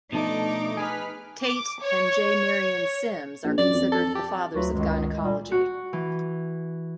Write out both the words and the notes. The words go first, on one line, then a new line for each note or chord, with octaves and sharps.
Tait and J. Marion Sims are considered the fathers of gynecology.
B2 F3 A3 D4 D#4 D6 D7
G#4 B4 F6 B6
D6
C#5
A#1
F#2 D5
F2
A4
G4
D2 F#3 F4 F#4 B4
C#2 F#2 D#3 G#3
A#2 G3
F#4
E3